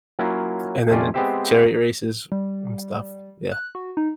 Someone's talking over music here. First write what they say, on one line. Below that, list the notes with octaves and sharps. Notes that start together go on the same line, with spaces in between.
And then the chariot races and stuff, yeah.
F#3 A#3 C#4 E4 F4
F2 C3 C#4 F4 D5 G#5
G#3 B3 C4 G4 C5 E5
G3
F#6
F#4
D#4